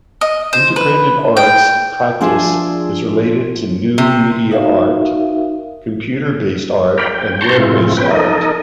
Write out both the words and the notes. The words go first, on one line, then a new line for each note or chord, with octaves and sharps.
Integrated arts practice is related to new media art, computer-based art, and web-based art.
D#5
C5
B4
G5
F3 D4 G#4 E5
C3
D#4 F#4 A#4 E5 F5
A#4 D5 F5 G5 B5
G5
A5 A#5 C6 C#6 G6
A2 C3 G#3 C4 E4 F4
B3 C#4 B4 G5
D#4 A4 A#4 D#5